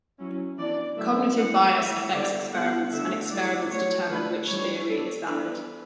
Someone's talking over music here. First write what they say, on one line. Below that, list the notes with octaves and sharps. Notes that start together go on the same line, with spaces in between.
Cognitive bias affects experiments, and experiments determine which theory is valid.
F#3 C#4 E4
E3 B3 D4 D5
D3 F#3 A3 E4 E5
E3 A3 D4 F#5
E3 A3 E4 E5
D3 G3 B3 E4 D5
G3 B3 E4 F#5
D3 A3 D4 E5
G3 B3 E4 D5
F#3 A3 E4 C#5
D3 A3 D4 B4
E3 G3 D4 C#5
G3 B3 D4 A4
E3 B3 D4 B4